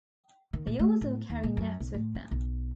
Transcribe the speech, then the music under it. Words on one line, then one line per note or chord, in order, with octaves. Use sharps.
They also carry nets with them.
D#3
A#2
A3
A2
D#2
A#2
F#2
B1
A2
C4
B1